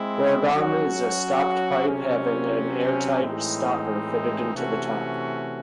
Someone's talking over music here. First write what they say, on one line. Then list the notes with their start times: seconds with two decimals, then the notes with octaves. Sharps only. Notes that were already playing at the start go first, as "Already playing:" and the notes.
Bourdon is a stopped pipe, having an airtight stopper fitted into the top.
Already playing: G#3 C4 E4
0.54 F#3 C#4 F#4
1.87 C3 F#3 C#4
3.21 A2 E3 G#3 C4 D#4
4.55 C3 E3 A3 C#4 F#4